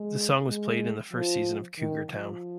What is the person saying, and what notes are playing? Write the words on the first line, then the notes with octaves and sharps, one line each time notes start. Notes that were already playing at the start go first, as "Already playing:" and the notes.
The song was played in the first season of "Cougar Town".
Already playing: G#3
G#3
F3
D#3
F3